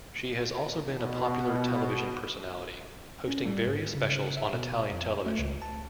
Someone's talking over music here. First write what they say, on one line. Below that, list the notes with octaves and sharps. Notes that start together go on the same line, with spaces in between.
She has also been a popular television personality, hosting various specials on Italian television.
B2
C#4
G3
G#2
C#3
E5
B2
F2
A3
C#2
A5